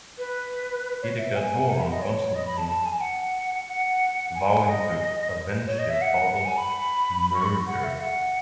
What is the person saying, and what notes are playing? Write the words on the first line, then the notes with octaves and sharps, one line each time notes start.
He declared war on Constantine, vowing to avenge his father's "murder".
B4
C#5
E5
G#5
F#5
E5
D#5
C#5
D#5
B5
A5
A5
G#5
G#5
F#5
F#5
G#5
D#5
C#5
D#5
E5
F#5
F#5
G#5
B5
C#6
B5
F#5
E5
F#5